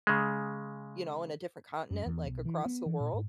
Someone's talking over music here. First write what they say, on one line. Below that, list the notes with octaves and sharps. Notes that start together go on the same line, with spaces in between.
you know, in a different continent, like, across the world.
C#3 G#3
F#2
E2
B1
E3
B3
E3
A#2
G#2